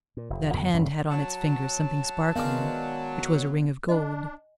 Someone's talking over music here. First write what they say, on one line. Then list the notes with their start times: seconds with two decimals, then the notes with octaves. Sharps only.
That hand had on its finger something sparkling, which was a ring of gold.
0.17 A#2
0.30 F1
0.54 F2 D3 B3
0.73 D#1 G2 C#4
1.11 F#3 A5
2.36 D#3 G#3 B3 D4 F5
3.89 D4 D#5 G#5